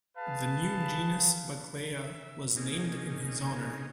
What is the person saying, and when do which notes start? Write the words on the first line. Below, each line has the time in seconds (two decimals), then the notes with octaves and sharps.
The new genus "Buckleya" was named in his honor.
0.17 G#4 B4 F5 A5
1.96 E5
2.57 C3 A#3 C#4 D#4 G#4